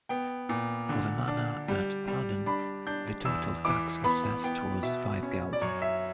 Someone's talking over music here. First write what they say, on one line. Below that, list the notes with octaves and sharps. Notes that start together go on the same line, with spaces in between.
For the manor at Haddon the total tax assessed was five geld.
B3 G5
A#2
D3
D4
G3
G3
D4 B5
D4 G6
E2 E6
E3 D6
B3 B5
B3 G5
B2 E5
C#4
D5
F#2 C#5
E5